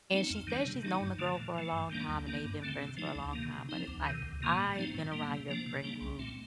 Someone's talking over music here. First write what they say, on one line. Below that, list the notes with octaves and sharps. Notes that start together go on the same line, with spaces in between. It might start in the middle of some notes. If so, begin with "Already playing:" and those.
and she says she's known the girl for a long time and they've been friends for a long time, but it's like, "I've been around your friend group
A3 C4 D#4
F2
D#3 G3 D4
C3
D#3 A3 D#4
G2
D3 F3 A3
A#2
F3 A3
G2
D#3 G3 A#3 D4
D#2
D#3 A#3 D4
G2
D3 A3 C4
C3
F3 A3 D#4
D2
C3 D#3 A#3
C3
F3 C4 D#4
D2
C3 D#3
D2
C3 D#3 A#3
A2
F3 A3 C4 D#4
A2
G3 A#3
C3
F3 A#3 D4
C3
G3 A#3 D4
C2
A#2 A3 C4